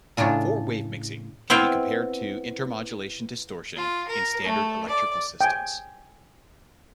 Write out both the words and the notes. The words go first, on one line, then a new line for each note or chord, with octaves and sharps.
Four-wave mixing can be compared to the intermodulation distortion in standard electrical systems.
A2 C#3 D4 F4 A#4
B3 C4 E4 F5 G5
F4
A#4
A3
D5
G5 G#5